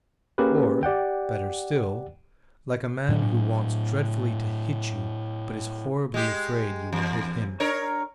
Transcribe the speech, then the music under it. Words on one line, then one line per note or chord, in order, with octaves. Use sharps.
Or, better still, like a man who wants dreadfully to hit you but is horribly afraid you will hit him.
A#3 C#4 G4 G#4 A#4 B4
G4 D5 F#5 G5
A2 F#3 D4
G#3 G4
E2
D4 A#4 C#5